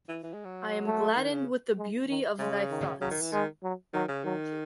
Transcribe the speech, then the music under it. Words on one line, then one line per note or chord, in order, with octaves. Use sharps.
I am gladdened with the beauty of thy thoughts.
E3
E3
G#3
F#3
A3
D#3
C#3
G#3
D#3
C#3 G#3
D#3
C#3 F#3
D#3
E3
D#3 G#3
F#3
D#3 F#3
C#3
D#3 F#3